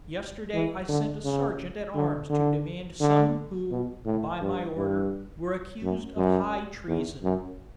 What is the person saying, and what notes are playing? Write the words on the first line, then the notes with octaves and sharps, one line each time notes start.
Yesterday I sent a serjeant at arms to demand some who, by my order, were accused of high treason.
E3
D3
C#3
D3
D3
D3
B2
A2
G2
G2
F#2
F#2
E2
F#2